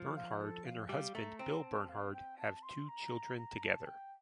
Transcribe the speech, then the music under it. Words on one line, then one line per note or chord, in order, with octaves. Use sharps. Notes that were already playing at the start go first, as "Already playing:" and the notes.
Bernhard and her husband Bill Bernhard have two children together.
Already playing: F3
F4
A4
F5
G3 F5
A3 A#5
C4 A#5
A5
F5
G5
A5
C6
A#5
A#5
A5
G5